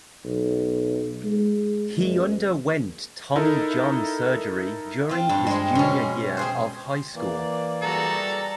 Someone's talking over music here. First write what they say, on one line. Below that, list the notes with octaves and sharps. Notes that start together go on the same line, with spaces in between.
He underwent Tommy John surgery during his junior year of high school.
B1
G#3
F#1
D#4 E4 A4 A#4
C4 F4
G2
G#3 C4
B2 C#4
C4 G#4 C5
E3 A#3 D5
G3 F#4 G#4 A4 A#5